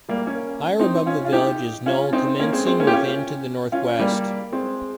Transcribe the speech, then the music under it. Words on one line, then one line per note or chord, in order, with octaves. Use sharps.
Higher above the village is Knowle commencing within to the northwest.
G3 A#3
A#3 C#4
C4 D#4
C#4 F4
F4
D#4 G4
C#4 F4
C4 D#4
A#3 C#4
G#3 C4
G#3 C4
A#3 C#4
G4
C#4 F4
C#4 F4
G3 A#3
G#3 C4